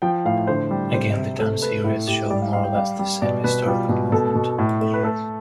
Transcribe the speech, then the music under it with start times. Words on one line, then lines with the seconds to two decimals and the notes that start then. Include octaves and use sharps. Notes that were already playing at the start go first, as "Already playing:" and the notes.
Again, the time series show more or less the same historical movement.
0.02 F3 G5
0.25 A2 F5
0.47 D3 C5
0.71 G3
0.94 C3 C5
1.17 C3
1.39 A3 A4
1.62 A3 B4
1.84 A2 E4
2.07 A2 G4
2.30 G3 D5
2.42 F5
2.53 G3 F5
2.64 G5
2.75 G3 F5
2.99 G3
3.22 B2 D5
3.44 B2 B4
3.67 G3 F4
3.89 B2
4.12 B2 A4
4.35 B2
4.58 A2
4.81 A3
4.94 B4
5.03 A3 A4